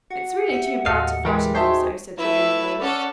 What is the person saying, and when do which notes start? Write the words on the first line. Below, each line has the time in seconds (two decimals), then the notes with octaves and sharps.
"It's really too bad to frighten them so," said Leona Rowe.
0.11 F#4 F#5
0.49 G4 E5 C#7
0.86 D#2 A2 F#4 A4 D#5 F5
1.25 E3 G3 G#3 A#4
1.55 D#4 F#4 G#4 C5 E5 G5 A5 C6
2.18 A3 E4 B4 E5
2.81 C#4 A4 D5 F#5